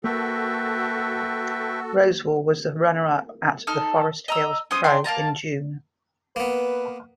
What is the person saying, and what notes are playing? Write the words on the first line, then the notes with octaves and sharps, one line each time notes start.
Rosewall was the runner-up at the Forest Hills Pro in June.
A#3 F#4 A4 B4 E5 G5
D#4 A4 F6
D#5 A#5 E6
C#4 C5 D#6
D4 G5 C6
A#3 F5 A5 A#5
A#3 B3 B4